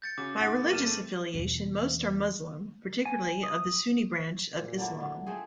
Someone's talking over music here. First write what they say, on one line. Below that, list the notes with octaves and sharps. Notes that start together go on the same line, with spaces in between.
By religious affiliation, most are Muslim, particularly of the Sunni branch of Islam.
G6 A6 C#7
C#3 F#4 D6
A1 D#4 F#5 A6
D3 A#3 B3 G#4
G2 F6 D#7 E7
A3 C4
E2 B2
G#5
D#6
A#2
D3 F#3 D4 E4
B3
A3 C4 F4 G#4